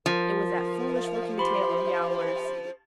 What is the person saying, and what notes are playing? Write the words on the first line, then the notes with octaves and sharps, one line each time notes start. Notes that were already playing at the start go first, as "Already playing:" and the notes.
It was that foolish looking tail of Yowler's.
F3 A#4
G4 C5 B5 C6